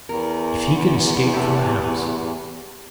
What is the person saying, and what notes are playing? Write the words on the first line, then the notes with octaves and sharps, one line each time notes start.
If he could escape from the house!
E2 A#4
C3 A3 G4